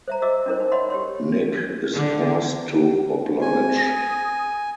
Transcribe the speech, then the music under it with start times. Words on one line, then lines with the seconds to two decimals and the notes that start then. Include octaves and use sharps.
Nick is forced to oblige.
0.08 C5 E5 A#5
0.22 F#4 D#5 E5 D6 E6
0.46 C#4 D4 E4 A#4 C5
0.60 D#4
0.72 C#5 D#5 E5 F#5 B5 C6
0.90 G4 C#5 C6
1.94 D3
3.41 C4 G#4 G#5
3.87 D#6